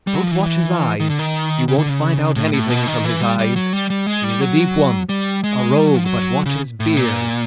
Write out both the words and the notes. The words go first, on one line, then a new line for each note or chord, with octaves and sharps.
Don't watch his eyes, you won't find out anything from his eyes, he is a deep one, a rogue--but watch his beard!
G3
F#3
F3
E3
D#3
D3
D#3
C#3
D3
C#3
A2
A2
B2
D#3
E3
G3
G3
F#3
G3
G3
G#3
G3
F#3
G3
G#3
G3
F#3
F3
F#3
C#3
A2
A#2